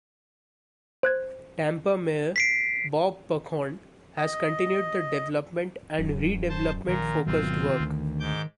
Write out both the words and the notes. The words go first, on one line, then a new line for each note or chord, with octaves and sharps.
Tampa Mayor Bob Buckhorn has continued the development and redevelopment focused work.
C5 F#6 G#6
B6 C7 D7
D#5
D1 F#2
C5 A5
A#1 A#2 D#3 A#4
G#1 B2 F#3 C4 F4
D2
G#2 D6 G6